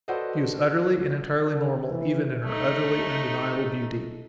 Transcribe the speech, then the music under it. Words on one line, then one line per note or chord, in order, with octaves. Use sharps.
She was utterly and entirely normal even in her utterly undeniable beauty.
F#4 A4 B4 C5 D5 D#5
D3
E3
A3 D#4